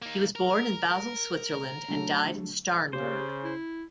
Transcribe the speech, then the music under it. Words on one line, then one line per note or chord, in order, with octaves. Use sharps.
He was born in Basel, Switzerland and died in Starnberg.
A#3 D#4
A#4
D3 F#3 A3
C#3 G4 C5
E4